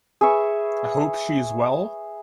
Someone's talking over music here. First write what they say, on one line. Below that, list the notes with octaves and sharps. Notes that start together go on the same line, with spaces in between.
I hope she is well?
G#4 B4 E5 C#6